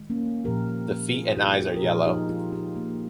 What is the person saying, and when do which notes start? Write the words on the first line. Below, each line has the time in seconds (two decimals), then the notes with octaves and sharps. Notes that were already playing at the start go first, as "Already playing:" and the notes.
The feet and eyes are yellow.
Already playing: D#3 G#3
0.10 A#3 C#4
0.45 A#2 F3 A#3 G4 A#4
1.14 F4 G#4
1.37 D#4 G4
1.60 F4 G#4
1.77 A#4
1.83 A#2 F3 G#3 F4 G#4
2.06 D#4 G4
2.29 F4 G#4
2.52 D#4 G4
2.76 A#3